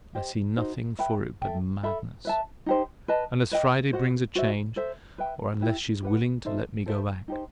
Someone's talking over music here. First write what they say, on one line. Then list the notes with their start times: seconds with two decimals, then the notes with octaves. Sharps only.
I see nothing for it but madness, unless Friday brings a change, or unless she is willing to let me go back.
0.15 G4 C5 D#5
0.57 D#4 F#4 C5
0.99 B4 E5 G5 B5
1.42 A4 E5 G5
1.83 A4 E5 B5
2.25 B4 E5 A5
2.66 D#4 G4 C5
3.08 B4 D#5 A5
3.51 B4 D#5 G5
3.93 F#4 C5 D#5 F#5
4.35 F#4 C5 E5
4.76 A4 C5 E5
5.18 B4 E5 G5
5.61 E4 G4 B4
6.02 G4 B4 F#5
6.45 D#4 A4 C5 E5
6.86 A4 C5 E5
7.28 D#4 G4 C5